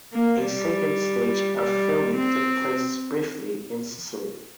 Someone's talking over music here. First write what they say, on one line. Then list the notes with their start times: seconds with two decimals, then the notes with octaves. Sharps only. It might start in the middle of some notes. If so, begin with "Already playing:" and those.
A second stage of filming took place briefly in Sicily.
0.13 A#3
0.43 G3
1.57 G3
2.15 C4